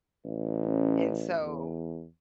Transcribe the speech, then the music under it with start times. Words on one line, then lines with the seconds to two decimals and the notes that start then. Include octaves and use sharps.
And so
0.25 A1
0.65 C#4
1.40 E2